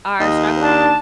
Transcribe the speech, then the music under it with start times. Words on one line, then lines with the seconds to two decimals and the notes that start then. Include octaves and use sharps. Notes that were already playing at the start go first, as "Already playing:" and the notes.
our struggles.
0.20 D#2 D#5
0.61 D4 A5